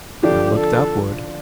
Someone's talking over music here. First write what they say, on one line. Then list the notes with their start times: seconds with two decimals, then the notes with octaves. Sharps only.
I looked upward.
0.23 D3 F3 D4 G4
0.58 A4